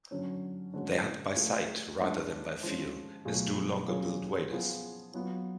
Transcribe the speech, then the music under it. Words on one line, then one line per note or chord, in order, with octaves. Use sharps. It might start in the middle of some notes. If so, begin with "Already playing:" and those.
They hunt by sight, rather than by feel as do longer-billed waders.
D3 F#3 C#4
D3 G#3 C#4 F#4
F3 A3 F4 G#4
F3 G#3 D4
F3 G#3 C#4
B2 F#3 A3 F4 G#4
F#3 C#4 F4 G#4
F3 B3 F4 G#4
F#3 B3 F4